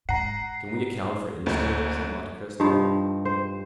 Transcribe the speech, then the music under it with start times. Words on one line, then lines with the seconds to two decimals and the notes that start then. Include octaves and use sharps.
"Can we account for instinct?" said Monte Cristo.
0.09 G#2 F#5 A#5 C7
1.46 F#1 D2
2.60 G2 F3 D#4
3.25 C5